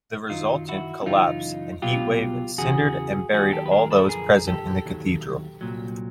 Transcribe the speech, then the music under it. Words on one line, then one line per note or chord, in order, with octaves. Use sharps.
The resultant collapse and heat-wave cindered and buried all those present in the Cathedral.
F#2 D#3 F#3 D#4 F4
E4 F#4
F#2 C#3 E3 D#4 F4
C2 B2 F#3 F4 G4
E2 C#3 E3 F#4 G#4
D#2 D#3 F#3 F#4 G#4
G4 A4
B4
G#4 A#4
A4 B4
F#2 D3 F3 G#4 A#4
G4 A4
D#2 D#3 F#3
C2 A#2 F#3